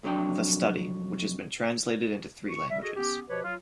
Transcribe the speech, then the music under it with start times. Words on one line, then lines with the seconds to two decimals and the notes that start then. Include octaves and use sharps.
The study, which has been translated into three languages.
0.03 C2 F2 F#3 D4 G5
2.50 C#6
2.69 G3 E5
2.82 F#4 G#4 A4 D#5
2.96 B3 C#4 G4
3.29 B2 F3 G4 B4 C#5
3.44 F#3 F4